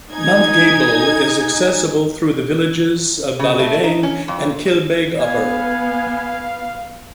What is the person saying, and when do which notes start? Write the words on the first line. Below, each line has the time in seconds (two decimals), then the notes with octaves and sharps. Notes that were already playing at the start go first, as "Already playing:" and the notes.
Mount Gable is accessible through the villages of Ballyveane and Kilbeg Upper.
0.12 D#4 G#5 G#6
3.39 C#3
3.59 A3
3.84 D#4
4.03 C#4
4.28 F2
5.20 B3 F5 G#5